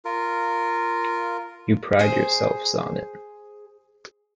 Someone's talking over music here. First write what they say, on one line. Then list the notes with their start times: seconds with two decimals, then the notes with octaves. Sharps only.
You pride yourselves on it.
0.05 F4 A#4
1.99 G#4 C5